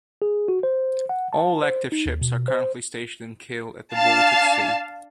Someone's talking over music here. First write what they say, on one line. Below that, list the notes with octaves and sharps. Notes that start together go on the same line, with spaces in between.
All active ships are currently stationed in Kiel at the Baltic Sea.
G#4
F#4
C5
F#5
A5
C5
D#4
D#2
B2
C5
D4 F5 A5